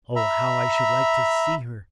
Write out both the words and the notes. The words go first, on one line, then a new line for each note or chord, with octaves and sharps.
Oh, how I should like to see her!
E5 A#5 B5